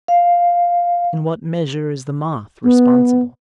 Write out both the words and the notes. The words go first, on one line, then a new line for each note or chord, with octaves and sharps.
In what measure is the moth responsible?
F5
B3